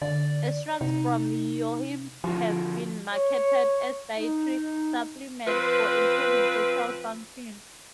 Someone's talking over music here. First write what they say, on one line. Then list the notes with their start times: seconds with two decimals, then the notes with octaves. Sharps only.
Extracts from yohimbe have been marketed as dietary supplements for improving sexual function.
0.02 D3 D5
0.81 C3 D#4
2.24 D3 F3 F4 F#4
3.13 C#5
4.17 D#4
5.47 F3 C4 B4